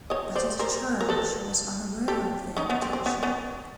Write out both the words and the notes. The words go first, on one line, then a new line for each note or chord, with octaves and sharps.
But as a child she was unaware of their potential.
C#5 D#5
C5 D5
A#4 C5
A#4
A4 B4
G4 A4
C#4 D#4
B3 C#4
C4
C4
B3 C#4
B3 C#4